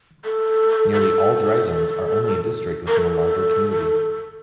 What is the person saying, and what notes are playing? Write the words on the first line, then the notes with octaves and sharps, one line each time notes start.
Nearly all dry zones are only a district within a larger community.
A4
A4
A#4
A4